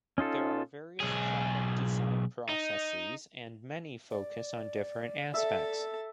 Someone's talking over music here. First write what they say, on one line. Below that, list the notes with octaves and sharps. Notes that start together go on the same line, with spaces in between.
There are various product design processes and many focus on different aspects.
C#4 D#4 F4 A4
B1 G#4
D#4
D5
A4 E5 A5